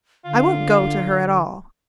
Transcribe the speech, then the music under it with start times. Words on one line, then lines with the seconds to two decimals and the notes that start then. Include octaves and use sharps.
I won't go to her at all.
0.25 D3 F4